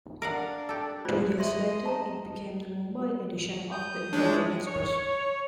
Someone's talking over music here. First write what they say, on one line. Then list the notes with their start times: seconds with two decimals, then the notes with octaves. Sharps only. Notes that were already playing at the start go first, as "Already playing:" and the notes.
Two years later it became the Mumbai edition of "The Indian Express".
0.22 D4 A#4 F5 F#5
0.69 G4 A4
1.05 F4 C5 D5
1.39 D#5 E5 C6
1.86 A5 A#5
3.72 D#6 G6
4.13 E3 G#3 D4 C#5
4.66 C#5